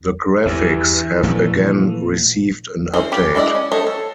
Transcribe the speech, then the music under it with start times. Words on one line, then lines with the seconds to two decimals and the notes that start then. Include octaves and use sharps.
The graphics have again received an update.
0.46 E2 G2 E3
1.23 A#2 F3 A3
2.94 E3 G#3 C#4 C5
3.12 F4 G4 B4
3.35 G#3 E4 F4 D5 D#5
3.55 C#4
3.72 A3 C5 C#5 D#5
3.87 A4